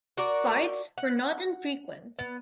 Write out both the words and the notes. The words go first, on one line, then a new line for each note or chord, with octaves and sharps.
Fights were not infrequent.
F#4 A#4 D5
F#5
B3